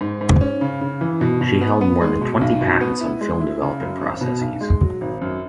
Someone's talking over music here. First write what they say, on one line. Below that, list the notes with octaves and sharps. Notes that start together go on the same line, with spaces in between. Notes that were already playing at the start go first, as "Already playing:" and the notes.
She held more than twenty patents on film developing processes.
G#2
G#2
C#4
C#3
C#3
E3
B2
B2
B3
B3
G#3
B2
B1
B2
B3
E4
G#3
E4
C#3
F#2
G#1
B2
B1
G#3
F#3
G#1
F#2